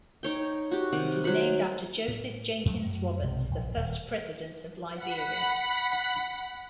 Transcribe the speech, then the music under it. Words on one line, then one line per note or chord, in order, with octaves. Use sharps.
It is named after Joseph Jenkins Roberts, the first president of Liberia.
D#4 C#5 G5
F#4 G4
C3 D#3 F#5
F#3 C5 F#5 B5
A2
F#2 F#3 A3
B1 C3 G#3
A#1
D#1
F#5 B5